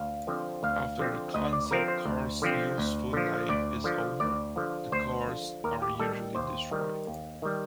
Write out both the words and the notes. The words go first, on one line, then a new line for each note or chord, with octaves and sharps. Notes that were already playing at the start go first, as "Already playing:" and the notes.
After a concept car's useful life is over, the cars are usually destroyed.
Already playing: D2 F5
D3 F3 C4
D2 F5
D3 F3 C4
D2 D#5
D5
D3 F3 C4 A#4
C5
D2
D3 F3 C4
D2
D3 F3
D2 D5
D3 F3
D2 D5
D3 F3
D2 C5
D3 F3
D#2 A#4
G4
D#3 G3 A4
D#2 C5
D#3 G3
D#2
D#3 G3